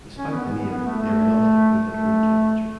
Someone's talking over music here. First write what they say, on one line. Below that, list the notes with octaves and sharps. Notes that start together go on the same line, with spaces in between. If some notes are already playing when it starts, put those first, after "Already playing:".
Despite the name, they are not liquid at room temperature.
C#4
B3
B3
B3
B3
A3
A3
A3